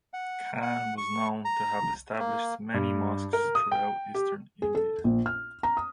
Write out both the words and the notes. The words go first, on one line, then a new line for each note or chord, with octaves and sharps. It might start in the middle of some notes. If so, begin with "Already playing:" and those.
Khan was known to have established many mosques throughout Eastern India.
F#5
F#5
C#6
A#5
A#3
G2
A#4
D#6
G5
G4
G#4
A4
A#1
F6
A#5
D#6